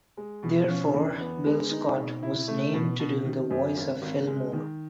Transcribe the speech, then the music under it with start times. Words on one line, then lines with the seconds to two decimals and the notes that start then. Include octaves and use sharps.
Therefore, Bill Scott was named to do the voice of Fillmore.
0.17 G#3
0.43 B2
0.69 C#4
0.94 E2
1.20 B3
1.46 G#3
1.71 D#4
1.97 B2
2.23 E4
2.48 A3
2.74 B2
2.99 B2
3.25 D#3
3.51 F#2
3.77 G#1
4.02 G#1
4.27 G#3
4.53 D#3